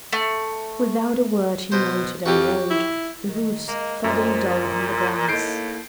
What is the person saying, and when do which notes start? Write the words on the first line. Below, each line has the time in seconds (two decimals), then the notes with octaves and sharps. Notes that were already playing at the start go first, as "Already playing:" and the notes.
Without a word he mounted and rode, the hoofs thudding dull on the grass.
0.13 A3
1.72 B2 C5
2.26 F2 F#4 G4
2.70 E4
3.29 D#3
3.68 G#3 A#3
4.04 F#2 A#2 G#3 C4
5.28 A2 A#3 D#4 G6 C7 D7